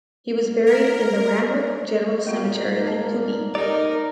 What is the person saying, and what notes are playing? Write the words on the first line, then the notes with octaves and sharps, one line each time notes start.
He was buried in the Randwick General Cemetery in Coogee.
A#4
A#2 A#3 B3 F4 F#4
D#5 A5 A#5
D#4 G4 A#4 D5